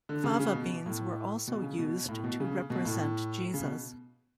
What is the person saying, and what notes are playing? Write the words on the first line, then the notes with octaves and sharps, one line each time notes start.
Fava beans were also used to represent Jesus.
D3
C#3
C#3
B2
A2
B2
C#3
B2
A2
B2
C#3
B2
A2
C#3
B2